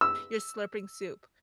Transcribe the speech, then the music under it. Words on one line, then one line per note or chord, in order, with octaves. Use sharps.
you're slurping soup,
E6